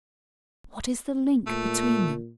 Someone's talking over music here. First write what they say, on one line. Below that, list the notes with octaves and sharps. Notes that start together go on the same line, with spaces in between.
What is the link between them?
A#2 A3